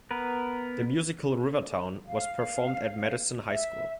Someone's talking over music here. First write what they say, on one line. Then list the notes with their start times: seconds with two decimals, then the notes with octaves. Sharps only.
The musical, "Rivertown", was performed at Madison High School.
0.11 B3 A#4 B4
2.07 F5
3.46 E5